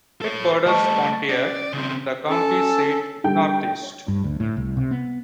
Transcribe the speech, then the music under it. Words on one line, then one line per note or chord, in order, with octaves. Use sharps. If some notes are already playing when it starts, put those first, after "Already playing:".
It borders Pontiac, the county seat, northeast.
A4 C#5
G3 A3 D#5 A5 C#6
C#4 D5
C#3 C4
C#4 A4
D3 G3 G5
G2
D2
A2
C2
C3
B3